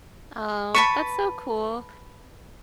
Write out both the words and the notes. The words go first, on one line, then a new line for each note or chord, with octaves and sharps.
Oh, that's so cool.
B4 A5 B5 C#6